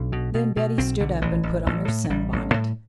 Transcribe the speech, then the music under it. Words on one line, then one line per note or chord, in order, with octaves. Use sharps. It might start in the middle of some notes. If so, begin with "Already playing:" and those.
Then Betty stood up and put on her sunbonnet.
Already playing: B1 D4
B2
B2
B2
B1 C4
B1 D3
A1 E3
A1
A1
A2
F#3
A1 G3
A1
A2